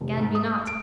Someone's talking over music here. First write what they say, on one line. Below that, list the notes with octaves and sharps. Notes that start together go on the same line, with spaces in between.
Scan me not!
F1
G#2
D#6
D7